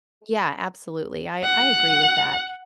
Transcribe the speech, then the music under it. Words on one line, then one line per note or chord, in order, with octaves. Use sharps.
Yeah, absolutely. I I agree with that.
F#5